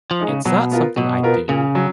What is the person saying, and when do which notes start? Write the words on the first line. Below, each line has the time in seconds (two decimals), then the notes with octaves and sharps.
it's not something I do
0.11 F3
0.20 G#3 D#4
0.28 C#3
0.45 B2 F#3
0.72 B3 F4 A#4
0.97 B2 F#3
1.23 B3 F4 A#4
1.49 A#2 C#3
1.75 F#3 C#4